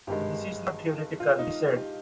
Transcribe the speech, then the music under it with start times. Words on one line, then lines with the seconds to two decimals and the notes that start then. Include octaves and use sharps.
"This is not theoretical", he said.
0.07 G#1 G2 D#3 G#3 G4
1.20 F4
1.38 D#4
1.76 G4